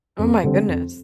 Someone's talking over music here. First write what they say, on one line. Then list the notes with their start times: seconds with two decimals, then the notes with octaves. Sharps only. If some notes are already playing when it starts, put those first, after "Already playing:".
Oh my goodness.
0.19 F2
0.43 D3 G3 C4
0.68 F2